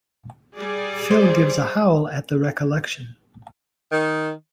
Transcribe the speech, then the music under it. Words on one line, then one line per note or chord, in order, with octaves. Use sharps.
Phil gives a howl at the recollection.
G3 G#4 D5
C5
D#3